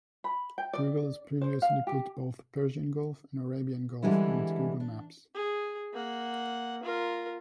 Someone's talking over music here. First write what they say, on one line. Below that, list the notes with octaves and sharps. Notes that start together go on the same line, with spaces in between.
Google had previously put both Persian Gulf and Arabian Gulf on its Google Maps.
B5
G5
D5
C5
F5
G4
D3 E3 G3 G#3 D4 E4
D4
G#4
A#3 F#5
F4 A#4